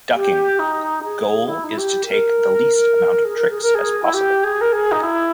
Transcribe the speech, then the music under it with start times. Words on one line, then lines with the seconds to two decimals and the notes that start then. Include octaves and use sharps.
"Ducking": Goal is to take the least amount of tricks as possible.
0.14 G4
0.59 D#4
1.03 G#4
1.47 E4
1.63 D#4
1.70 E4
1.78 G4
2.06 A#4
3.24 G#4
3.37 A#4
3.50 G#4
3.61 A#4
3.74 G#4
4.03 E4
4.13 G4
4.43 G#4
4.61 A#4
4.72 G#4
4.91 D#4
5.03 E4